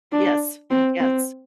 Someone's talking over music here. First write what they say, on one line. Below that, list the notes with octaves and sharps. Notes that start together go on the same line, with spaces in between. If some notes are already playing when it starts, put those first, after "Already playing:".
Yes, yes.
D4
C4
C4